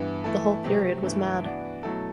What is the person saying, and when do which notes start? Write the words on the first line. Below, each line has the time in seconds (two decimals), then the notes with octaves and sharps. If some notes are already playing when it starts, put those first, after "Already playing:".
The whole period was mad!
Already playing: G2 E3 B3
0.24 E3 A3 E4 A4
0.64 C3 F#3 A3 C4 G4
1.03 G2 E3 A3
1.44 E3 B3 D4 F#4
1.83 B2 F#3 A3 E4 A4